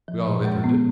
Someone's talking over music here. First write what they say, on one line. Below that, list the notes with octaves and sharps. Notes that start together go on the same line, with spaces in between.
We all entered it.
F3
A#2
G#3
B3